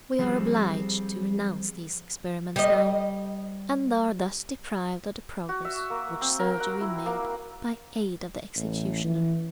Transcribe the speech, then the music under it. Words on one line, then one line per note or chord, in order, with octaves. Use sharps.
We are obliged to renounce these experiments now, and are thus deprived of the progress which surgery made by aid of the executioner.
F3 G3 C4 G#4
G3 D#5
F#4
E5
A#3
C4
A#4
F#5
E4
A#3
A1
E3